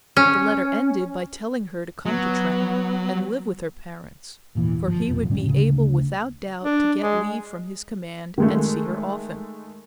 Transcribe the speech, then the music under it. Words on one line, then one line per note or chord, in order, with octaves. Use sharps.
The letter ended by telling her to come to Trenton and live with her parents, for he would be able without doubt to get leave from his command and see her often.
C#4
F#3 B3
G#1 E2 A#2 E3
G1 F3
F1 B1 F2
A2 D3 G3 C#4
D2 C#3
D4
G#3
D#3 G#3 A3